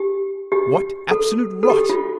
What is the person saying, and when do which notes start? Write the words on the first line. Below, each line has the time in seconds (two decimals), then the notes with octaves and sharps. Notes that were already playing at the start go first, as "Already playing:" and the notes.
'What absolute rot!
Already playing: G4
0.52 G4
1.11 A4
1.63 A4
1.70 G4
1.89 F4